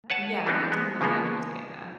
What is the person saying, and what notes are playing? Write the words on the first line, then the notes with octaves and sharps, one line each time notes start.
Yea Yeah I totally understand that.
B4 C#5 F#5 A5
E3 G3 B3 C4 D4 D#4
G#3 B3
C#3 F3 G#3 A#3 B3